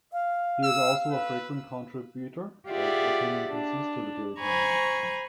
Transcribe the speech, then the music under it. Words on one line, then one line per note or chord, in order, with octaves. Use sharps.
He is also a frequent contributor of opinion pieces to the Daily Times.
F5
E6
B4
F4 G4 G#4 D5 E5 F#5
D4
C5 G#5 A#5 B5 C#6